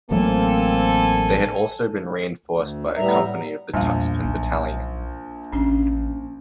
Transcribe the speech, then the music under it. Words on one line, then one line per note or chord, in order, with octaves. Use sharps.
They had also been reinforced by a company of the Tuxpan Battalion.
A1 F#3 A3 A#3 C4 A4 G#5
D2
A2 G3 B3 E5 A#5
A#1 E2 G3 F5
B1
A1 C#4 D4